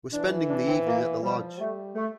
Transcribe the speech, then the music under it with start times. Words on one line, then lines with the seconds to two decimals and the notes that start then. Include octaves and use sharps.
We're spending the evening at the lodge.
0.13 E3 D4
0.49 D4
0.67 C4
0.86 A#3
1.22 F3 G3
1.59 G3 A3
1.95 A3